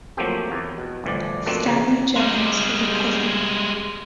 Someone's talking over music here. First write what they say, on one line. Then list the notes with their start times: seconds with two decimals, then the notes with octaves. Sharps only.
Stanley Jevons was a cousin.
0.17 F3 F#3 A3 A#3 C4 G4
0.52 E2
0.78 B2
1.04 G1 A2 E3 F3 D5
1.46 B2 F3 A3 A#3 C4 D4
1.66 F2 C#3 E3
2.16 G3 G#3